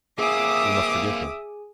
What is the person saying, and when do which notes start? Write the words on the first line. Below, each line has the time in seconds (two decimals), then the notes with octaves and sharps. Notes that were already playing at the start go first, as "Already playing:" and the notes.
You must forgive me.
0.18 A#3 C4 G#4 E5 G#5 D6 D#6